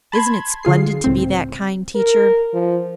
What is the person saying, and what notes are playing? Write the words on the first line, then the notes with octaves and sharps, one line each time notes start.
"Isn't it splendid to be that kind, teacher?"
A5 B5 C6 G#6
D3 F4 G#4 C7
C#2 A2 C4
A#4
F3